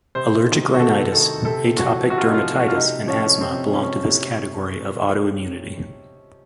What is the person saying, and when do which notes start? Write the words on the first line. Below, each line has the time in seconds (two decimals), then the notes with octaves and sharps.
Allergic rhinitis, atopic dermatitis, and asthma belong to this category of autoimmunity.
0.15 C3 C5
0.48 D#3
0.74 F#4
0.79 C3 A4
1.12 D#3 A4
1.45 C3 A4
1.77 F3 F#4
2.10 C3 F#4
2.18 F4
2.26 D#4
2.34 F4
2.42 F3
2.59 F#4
2.68 F4
2.75 C3 D#4
3.07 F3 C#4
3.41 C3 C4
3.72 F3 C#4
4.06 C3